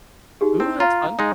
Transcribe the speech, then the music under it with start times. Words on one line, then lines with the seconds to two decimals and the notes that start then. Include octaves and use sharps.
Ooh, that's fun.
0.41 D#4 G4 G#4
0.60 C4 E4
0.80 F4 F5 A#5
1.19 G#3 D#4